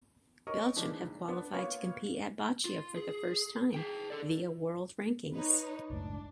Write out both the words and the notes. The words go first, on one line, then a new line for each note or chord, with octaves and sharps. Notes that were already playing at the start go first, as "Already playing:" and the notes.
Belgium have qualified to compete at boccia for the first time via world rankings.
A#4 C#5 D#5 C#6
E3 F3 G#3 A#3 D4 D#4
C#2
B3 D4
A#3 B3 F4 B4 C#5 F5
F4
G#4
G#4 G5
A4 D5
D#4 B4 C#5
F#1 C#2 A2 D4